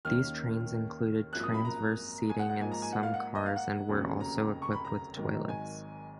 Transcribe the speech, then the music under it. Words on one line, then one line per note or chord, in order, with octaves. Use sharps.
These trains included transverse seating in some cars and were also equipped with toilets.
D#2 D#3 A#3 C#4 F6
G#1 F#2 F3 A#3 F#6
D#6
B5
A#5
G#5
F#5
F#5
G#2 F3 A#3 G#5
A#5
G#5
F#5
F5
F#5
D#5
F5
F#5
F1 D#2 C#3 F#3 C#4
A#5
C#6
B5
A#5
G#1 G#2 D#3 F#3
G#5